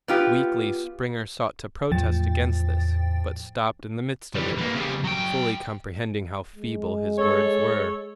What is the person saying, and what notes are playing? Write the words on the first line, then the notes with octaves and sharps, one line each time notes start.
Weakly Springer sought to protest against this, but stopped in the midst of it, fully comprehending how feeble his words were.
B3 F4 G4
E2 A2 F3 G5 A6
E3 G3
E3 A#3
C#3 G3
F#3 G5
G#3
A4 C#5